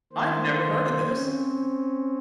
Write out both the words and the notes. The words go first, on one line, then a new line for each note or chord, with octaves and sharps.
I've never heard of this.
D#3 A#3 C5
C4 C#4